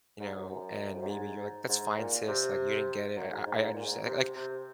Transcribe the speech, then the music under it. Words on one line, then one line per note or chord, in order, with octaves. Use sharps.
You know? And maybe you're like, "that's fine, sis. Like, you didn't get it. I I I understand." Like like,
G#2
F#2
F#2
F2
F#2
G#2
G#2
A#2
C3
F#2
G#2
G#2
G#2
A#2
G#2
C3
C3